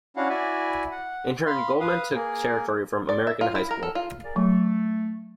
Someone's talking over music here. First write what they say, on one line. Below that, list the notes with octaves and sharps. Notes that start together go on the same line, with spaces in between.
In turn, Goleman took territory from American High School.
C#4 D4 E4 F#4 F5 F#5
E4 F#4 D5 E5 G#5
F#5
F5 B5 C6
B4 F5 D#6
A#3 G#4 A#4
D5
E5
F4
E4
A#4
A4
F4
G#4 A#4 D5
F#3 A3